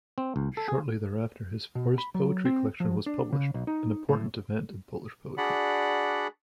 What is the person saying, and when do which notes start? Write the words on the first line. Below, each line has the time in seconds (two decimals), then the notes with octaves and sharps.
Shortly thereafter, his first poetry collection was published, an important event in Polish poetry.
0.18 C4
0.36 C#2
0.57 A4
0.68 G#4
1.75 B2
1.98 B5
2.15 F#3
2.45 C4
2.80 F3
3.06 D4
3.32 C#3
3.54 B1
3.67 D#4
4.09 A2
5.38 D4 F#4 G#4 D5 F#5 B5